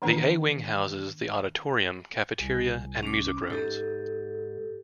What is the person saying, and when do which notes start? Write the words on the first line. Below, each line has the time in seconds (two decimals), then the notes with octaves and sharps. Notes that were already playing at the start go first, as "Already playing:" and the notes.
The A-wing houses the auditorium, cafeteria and music rooms.
0.02 D#3 E3 A#3 D4 B4 A#5
2.40 C2 G#5
3.03 C#4 D6
3.50 G#2 G4 A4